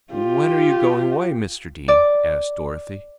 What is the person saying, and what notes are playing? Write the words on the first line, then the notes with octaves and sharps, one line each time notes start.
"When are you going away, Mr. Dene?" asked Dorothy.
F4 G4
D5